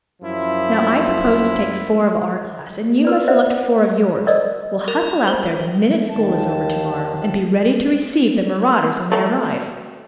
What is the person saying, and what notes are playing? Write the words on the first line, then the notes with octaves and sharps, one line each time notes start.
Now I propose to take four of our class, and you must select four of yours. We'll hustle out there the minute school is over to-morrow, and be ready to receive the marauders when they arrive.
F#2 F3 E4
A#4 B4 D5
C5 D5 E5 F#5
A4 A#4 C5 D5 D#5
A#4
C5
D#2 D#3 A5
F#3 A3